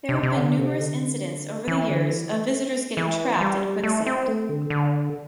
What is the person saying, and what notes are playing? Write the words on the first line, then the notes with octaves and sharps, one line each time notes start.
There have been numerous incidents over the years of visitors getting trapped in quicksand.
C3
C3
D3
C3
D3
E3
D3
E3
A3
C4
E3
G3
A3
C4
A3
D3
D3